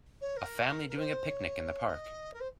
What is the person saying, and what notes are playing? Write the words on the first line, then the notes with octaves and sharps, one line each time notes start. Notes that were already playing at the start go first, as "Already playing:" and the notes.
A family doing a picnic in the park.
C#5
A#4
A#4
C5
C#5
D#5
A#4
C5